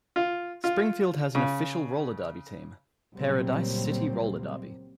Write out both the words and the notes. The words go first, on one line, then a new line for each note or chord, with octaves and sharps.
Springfield has an official roller derby team: Pair O Dice City Roller Derby.
F4
F4
C#3
C#2 A#2 F#3 G3 A#3 C4